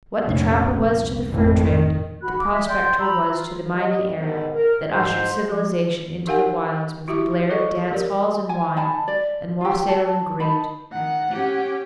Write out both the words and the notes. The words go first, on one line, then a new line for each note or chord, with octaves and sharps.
What the trapper was to the fur trade, the prospector was to the mining era that ushered civilization into the wilds with a blare of dance-halls and wine and wassail and greed.
F1 A#1 C#4
C2
G#1 F2 A2 E3
D#3
F#4 B5 F#6
D6
E5
D5 G5 C6 G6
A#5 B5 E6
F4
G3 D#5
G#2 B2 D#3
A#4
G#2 C5
F3
D#4 G4 A#4 F5 F#5 G#5
E4 F#4 G4 E5 D6
E3 G#4 A4 D#5 C#6
G4 A#4 C#5 D5
G#5
D#4 G#5 A5 B5
D5
F4 G4
A5
D#4 A5 B5
D#3 F#5
C#4 G4